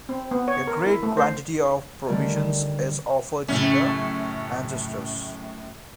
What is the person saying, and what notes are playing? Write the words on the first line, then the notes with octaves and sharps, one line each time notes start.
A great quantity of provisions is offered to the ancestors.
C4
B3
C#5
A#4
E4
A3
C5
D3 D#3 G3 A3 A#3 C#4
F#2 A2 C#3 A3 C#4